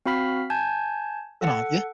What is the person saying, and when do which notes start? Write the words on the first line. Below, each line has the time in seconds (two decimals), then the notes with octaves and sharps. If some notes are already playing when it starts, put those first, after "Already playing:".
And aren't you?
0.06 C4 F#4 F5 B5 F6 B6
0.50 G#5 A5 G6 G#6
1.41 A4 F#5